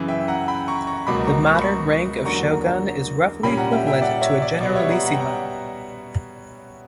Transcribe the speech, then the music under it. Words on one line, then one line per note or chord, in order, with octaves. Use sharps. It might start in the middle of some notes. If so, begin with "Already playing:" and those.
The modern rank of shogun is roughly equivalent to a generalissimo.
Already playing: F#2 C#3 E3
E5 G5
F#5 A#5
G5 B5
A#5 C#6
A#5 C#6
C#2 B2 F#3 A#3 B5 D6
A#5 C#6
C#6
B5
A#5 C#6
E2 D3 F#3 A#3 A#5 C#6
A#2 G3 C#4 G5 B5
F#5 A#5
E5 G5
E5 G5
D5 F#5
C#5 E5
D5
B2 G3 B3 D5
C#5 E5
F#5 A#5
F#5 A#5
G5
F#5 A#5